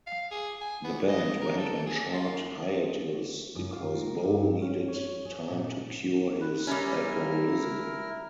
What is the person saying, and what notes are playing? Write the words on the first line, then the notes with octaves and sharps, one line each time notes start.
The band went on short hiatus because Bo needed time to cure his alcoholism.
F5
G#4
G#5
B3
D#5
A#4
A4
G#4
F4
F#2
F4
A#4
G2
C#4
C#5
G#4
A#2
B4
G3 C#4 E4 A#4 F6